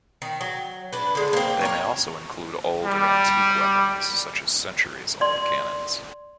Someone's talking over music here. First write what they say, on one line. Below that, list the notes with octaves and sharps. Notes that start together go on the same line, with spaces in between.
They may also include old or antique weapons, such as centuries-old cannons.
D#3
F#3
D4 B4
D3 G#3
A#3 C4
A#4 B4 C#5
G3
D5 C6